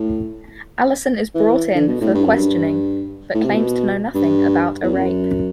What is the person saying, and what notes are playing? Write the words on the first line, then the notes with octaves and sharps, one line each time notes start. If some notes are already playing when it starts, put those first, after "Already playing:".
Allison is brought in for questioning, but claims to know nothing about a rape.
Already playing: A2
E3
D3
B2
A2
G2
F#2
G2
A2
C3
B2
G2
E2
F#2